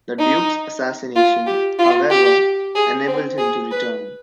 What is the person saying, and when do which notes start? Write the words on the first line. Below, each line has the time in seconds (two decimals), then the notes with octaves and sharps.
The duke's assassination, however, enabled him to return.
0.19 D#4
1.16 F4
1.47 G4
1.79 F4
2.10 G4
2.75 G#4
3.07 C4
3.38 G#4
3.71 B4